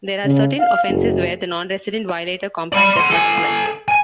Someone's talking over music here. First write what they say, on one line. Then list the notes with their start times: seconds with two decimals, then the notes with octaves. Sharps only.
There are certain offenses where the Non-Resident Violator Compact does not apply.
0.25 C#3
0.60 F5
0.89 F#1
2.72 D5 B5
2.96 F#5 C6
3.10 A4 G#5
3.88 G#5